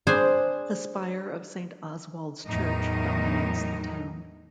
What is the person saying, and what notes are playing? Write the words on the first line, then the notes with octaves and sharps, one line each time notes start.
The spire of Saint Oswald's Church dominates the town.
D4 G#4 C5 G#5
E2 A2 F#3 D#4 A#4